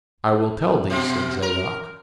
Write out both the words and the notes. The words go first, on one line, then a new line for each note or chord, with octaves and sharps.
"I will tell thee," said Zadok.
B2
A#4